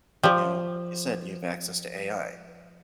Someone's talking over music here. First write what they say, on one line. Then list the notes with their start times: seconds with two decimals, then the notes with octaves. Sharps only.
you know, like you said, you have access to AI.
0.24 F3 G4 D5